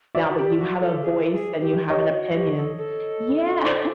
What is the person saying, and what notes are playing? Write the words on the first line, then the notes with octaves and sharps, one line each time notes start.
now that you have a voice, and you have an opinion Yeah,
F#4 D5 E5
F#4
G4
F#4
A4
G#4
G#4
G4
G4 C#5 D#5
F#4
G4
A4
A4
C5 D5